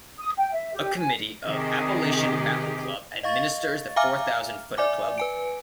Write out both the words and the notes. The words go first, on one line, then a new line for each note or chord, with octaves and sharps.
A committee of Appalachian Mountain Club administers the Four Thousand Footer Club.
D#6
G5
E5
G4
G#5
C3 D#3 G4 G#4
D#5 F5 C#6 A6
E5 F5 G#5 A#5 D6 F6
D5 E5 G#5 D6
B4 G#5 D7